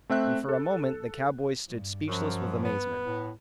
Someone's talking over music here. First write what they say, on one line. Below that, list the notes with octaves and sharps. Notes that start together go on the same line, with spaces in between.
And for a moment the cowboys stood speechless with amazement.
A3 C4 E5 F#6
A4
G2
F#2 F3
B3
A2